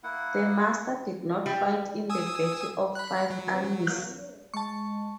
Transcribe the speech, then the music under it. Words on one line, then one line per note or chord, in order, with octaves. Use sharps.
The Master did not fight in the Battle of Five Armies.
A#3 E4 F#5
G3
G#5 D#6 E6
B5 F#6
F#3
G#3 A5 C#6